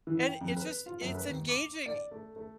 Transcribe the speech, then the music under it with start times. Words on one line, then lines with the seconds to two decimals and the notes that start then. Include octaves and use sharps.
And it's just it's engaging,
0.07 E3
0.22 G5
0.41 F2
0.57 B4
0.86 F4
1.01 F#2
1.15 B4
1.26 D#2
1.49 D6
1.86 D5
2.11 A3
2.36 A3